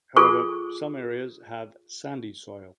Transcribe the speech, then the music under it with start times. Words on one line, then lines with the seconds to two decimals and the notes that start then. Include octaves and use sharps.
However, some areas have sandy soil.
0.17 F4 G#4 A4 C#6